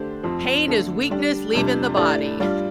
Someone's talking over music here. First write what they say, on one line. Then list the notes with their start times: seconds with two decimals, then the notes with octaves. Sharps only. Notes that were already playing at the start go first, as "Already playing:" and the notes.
Pain is weakness leaving the body.
Already playing: D3 A3 D4 G4 C5
0.23 F2 F3 C4
0.68 D3 A3 D4 A4
1.10 G3 D4 G4
1.53 F2 C3 G3 D4
1.96 A2 A3 D4 G4 D5
2.40 G2 G3 F4 D5